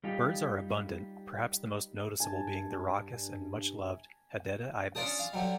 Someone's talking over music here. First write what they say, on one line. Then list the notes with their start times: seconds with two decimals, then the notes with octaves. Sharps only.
Birds are abundant, perhaps the most noticeable being the raucous and much-loved hadeda ibis.
0.04 G3 D#4 F4 G4
2.20 G2 G#5 A5
4.95 C#4 D4 F4 D5 A5 D#6
5.19 F5
5.33 D3 F#3 G3